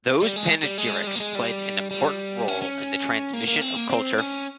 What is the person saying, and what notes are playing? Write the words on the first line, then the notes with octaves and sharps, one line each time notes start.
Those panegyrics played an important role in the transmission of culture.
G3
G#3
G3
G#3
G3
A#3
G#3
G3
G3
C#4
C#4
A#3
A#3
C4
A#3
C4
C#4